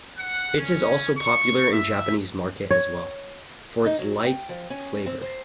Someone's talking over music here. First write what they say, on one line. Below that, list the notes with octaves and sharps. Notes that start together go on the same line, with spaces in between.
It is also popular in Japanese market as well, for its light flavor.
F#5
C#4
C#6
E5
C#5
D#4
F#3
D4
G5
F3
C#4
C4
C5